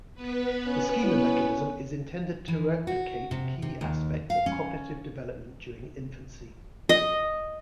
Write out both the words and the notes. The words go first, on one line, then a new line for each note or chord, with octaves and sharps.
The Schema Mechanism is intended to replicate key aspects of cognitive development during infancy.
B3 B4
C#4
C#4 E4
E3
F#4
C3
C3
D#2
F5
C#4
D#5